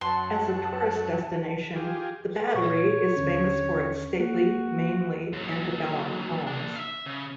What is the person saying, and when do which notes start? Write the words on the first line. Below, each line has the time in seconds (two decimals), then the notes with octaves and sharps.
As a tourist destination, the Battery is famous for its stately, mainly antebellum homes.
0.01 F#2 F#5 A5 C6
1.75 F4 G4 G#4
2.54 A#2 C#5 C#6
3.16 D#2 D3 C#4
4.20 A#3 F#4
5.33 D#2 F#3
6.47 A#3 D4
6.76 E5 F5
7.06 C#3